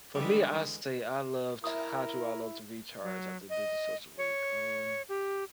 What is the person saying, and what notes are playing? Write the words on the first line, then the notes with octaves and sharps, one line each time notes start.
for me, I say I loved how do I love to recharge after a busy social week? Um,
D3 E3 G3 G#3
E4 A#4 E5 D#6
F#3
D#5
C#5
G4